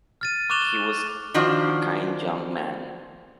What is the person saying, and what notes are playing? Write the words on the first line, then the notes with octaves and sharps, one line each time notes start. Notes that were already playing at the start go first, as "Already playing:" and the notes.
He was a kind young man.
F6 A6 D#7
C#6 D6 F#6 E7 F7 G7
D#3 F3 D4 F#4